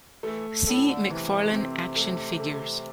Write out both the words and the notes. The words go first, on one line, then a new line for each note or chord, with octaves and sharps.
See McFarlane Action Figures.
E3 A3
A2 A4
D3
C3 E3
C4
A3
A4